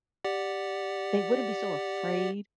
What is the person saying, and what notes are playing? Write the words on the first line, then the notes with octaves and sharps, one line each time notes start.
they wouldn't be so afraid
G4 D5 F#5